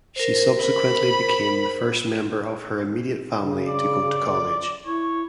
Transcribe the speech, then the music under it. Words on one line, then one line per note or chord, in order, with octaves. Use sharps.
She subsequently became the first member of her immediate family to go to college.
A#4 C5
B5
C#3
D5
E4 C#5